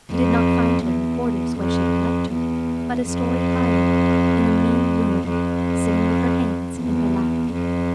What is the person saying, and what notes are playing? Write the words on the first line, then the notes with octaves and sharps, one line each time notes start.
She did not find her in the quarters where she had left her, but a story higher, in a mean room, sitting with her hands in her lap.
F2
E2
F2
E2
F2
F2
E2
F2